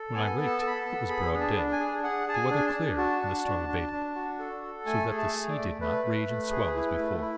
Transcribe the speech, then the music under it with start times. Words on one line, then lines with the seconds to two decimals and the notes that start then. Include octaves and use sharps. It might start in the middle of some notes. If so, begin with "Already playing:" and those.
When I waked it was broad day, the weather clear, and the storm abated, so that the sea did not rage and swell as before.
Already playing: A4
0.15 B3 G#5
0.39 A4
0.47 A5
0.62 A4 B5
0.78 A5
0.85 B3
1.09 G#4 B5
1.33 D4
1.40 A5
1.56 D4
1.72 G#5
1.80 G#4
2.03 G#4 F#5
2.27 G#4 A5
2.34 G#5
2.51 D4 G#5
2.67 A5
2.74 D4
2.98 F#4 A5
3.21 D4
3.45 D4
3.68 D4
3.92 D4
4.15 F#4
4.39 A4
4.63 A4
4.86 A3 G#5
5.10 G#4
5.18 A5
5.34 A3
5.50 D5
5.57 A3
5.81 A3 B4
6.04 A3
6.28 A3
6.51 G#4
6.75 E4
6.98 A3
7.22 E4